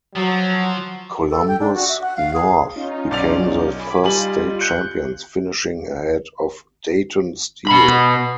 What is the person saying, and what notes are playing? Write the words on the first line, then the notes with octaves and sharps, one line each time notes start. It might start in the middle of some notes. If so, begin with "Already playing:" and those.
Columbus North became the first state champions, finishing ahead of Dayton Steele.
F3 F#3
A4
G5
D4
F#4
E5
F#5
F5
G#4
C#4 D#4 F4
B1 D5 F7
G#5 B5 D6
G3 D#4 F4 G#5 F#7
F4
F#6 G6 C#7
B2 B5